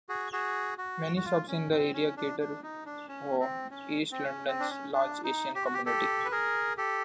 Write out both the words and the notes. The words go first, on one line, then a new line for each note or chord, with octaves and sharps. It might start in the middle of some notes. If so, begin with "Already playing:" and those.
Many shops in the area cater for east London's large Asian community.
F#4 G#4
F#4 G#4
F#4
F#4
F4
C#4
C4
C#4
D4
D4
D#4
D4
C#4
C4
C#4
C4
C#4
C4
D4
C#4
D4
D#4
G4
F#4
G4
G4 A4
B4
G#4 A#4
G4 A4